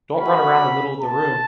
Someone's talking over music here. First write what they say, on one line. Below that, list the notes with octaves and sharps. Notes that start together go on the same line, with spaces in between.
Don’t run around the middle of the room!
A3 C#4 F#4 B5
A5